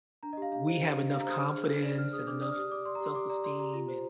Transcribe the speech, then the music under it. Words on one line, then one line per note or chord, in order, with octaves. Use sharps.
we have enough confidence, and enough self-esteem, and
D4 A#5
D#5
G4 F5
D4 F5
C5
D4
G4
D4 F5
A#5
C5 D#6
D4 F6
G#4
D4
D5
D4 F6
G#4 D#6
D4 D6
D5 D#6
F6
G4 D#6
D5 D6
D5 C6
A#5
G4
C6
G4 D6
D5 A#5
D5 C6
G4 A#5
F4
C5